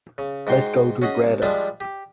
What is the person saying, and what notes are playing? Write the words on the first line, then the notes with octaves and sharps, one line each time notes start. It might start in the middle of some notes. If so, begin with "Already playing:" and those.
Let's go to Breda.
C#3
G#2 F#4 G5 C6
C#4 F#4 G#4 D#5 F#5
C2
F3 G3 G#3 D4 E4
G4